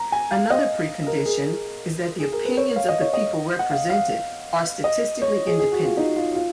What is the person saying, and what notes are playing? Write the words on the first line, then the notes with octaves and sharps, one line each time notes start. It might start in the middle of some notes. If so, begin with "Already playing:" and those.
Another precondition is that the opinions of the people represented are statistically independent.
Already playing: A#5
G#5
F5
D#5
A#4
G#4
G#4
A#4
B4
C#5
F5
D#5
C#5
D#5
F#5
F5
F5
D#5
C#5
G#4
G#4
F#4
F4
D#4
F4
F4